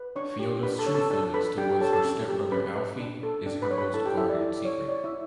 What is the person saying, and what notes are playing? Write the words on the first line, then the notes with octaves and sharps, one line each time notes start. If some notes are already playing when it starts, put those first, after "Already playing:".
Fiona’s true feelings towards her stepbrother Alfie is her most guarded secret.
Already playing: B4
D4 C#5 C#6
G4
D4 B4 B5
A4 A5
C#5
A4 A5
D4 A4 A5
A4 B4 B5
D4 G4 G5
G4 G5
A4 C#5 A5
A4 A5
C#4
G4
C#4 B4 B5
B4
D4
A4
D4
B4 B5
C#5
B4 B5
E4 A4 A5
G4 G5
E4 A4 E5
D5
E4 D5
C#5
C#5 D5
E4 E5